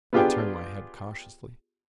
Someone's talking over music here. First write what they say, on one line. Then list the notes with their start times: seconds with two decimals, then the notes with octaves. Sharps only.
I turned my head cautiously.
0.13 B3 D4 F4 G4 G#4 G5